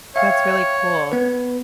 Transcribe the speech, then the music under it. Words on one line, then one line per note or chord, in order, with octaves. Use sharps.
That's really cool.
C#5 E5 F5 G5
B3 B4